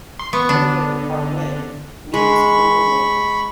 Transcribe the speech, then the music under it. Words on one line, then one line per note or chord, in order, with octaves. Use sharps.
Her name "Ar-wen" means 'noble maiden'.
C6
B3 C#6
D3 D4
G#3 B5 C#6